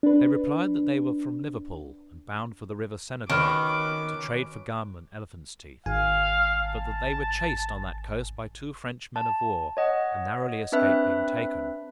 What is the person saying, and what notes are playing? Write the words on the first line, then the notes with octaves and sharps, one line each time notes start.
They replied, that they were from Liverpool, and bound for the river Senegal, to trade for gum and elephants teeth; but that they were chased on that coast by two French men-of-war, and narrowly escaped being taken.
D4 B4
D#3 C#4 F#4 B4 D6 F6 D7
G#1 F5 G#5
A5
A5
C#5 D#5 F#5
C4 D4 B4 E5 F#6